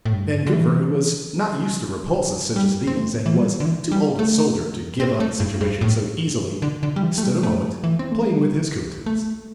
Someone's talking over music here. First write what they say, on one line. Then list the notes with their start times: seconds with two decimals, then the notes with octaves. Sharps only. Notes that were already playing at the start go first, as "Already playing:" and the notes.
Vancouver, who was not used to repulses such as these, and was too old a soldier to give up a situation so easily, stood a moment playing with his coat tails.
0.05 A2
0.13 G2
0.47 D3
0.53 E3
2.56 G3
2.87 C4
2.97 A3
3.26 E3
3.37 G3
3.60 D3
3.65 E3
3.92 G3
4.19 A3
5.00 C4
5.20 A3
5.40 G2
5.61 G2
5.81 A2
6.62 D3
6.83 D3
6.96 G3
7.03 E3
7.18 A3
7.23 G3
7.43 A3
7.84 E3
7.99 C4
8.12 A3
8.24 G3
9.06 A3